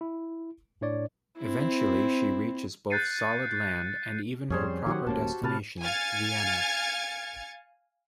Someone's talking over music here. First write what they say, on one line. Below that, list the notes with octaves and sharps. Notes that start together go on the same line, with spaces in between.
Eventually she reaches both solid land and even her proper destination, Vienna.
E4
A2 D4 C#5 D5
C4 E4
F#6 G6 A6 C7 C#7 D#7
F2 G3 C#4 G#4 C5
D#3 F3 F#3 F#4 G4 F#5
D#1 A#3 C#4 A5
C3 B4 F5 A5
F5 G#5 F6 G#6 A6 C#7